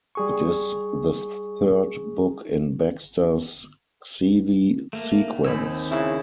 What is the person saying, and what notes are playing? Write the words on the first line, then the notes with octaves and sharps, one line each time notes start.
It is the third book in Baxter's Xeelee Sequence.
G3 G#4 C#6
A3 A#3
D#2 C4 G#5 B5 E6
C#3 E4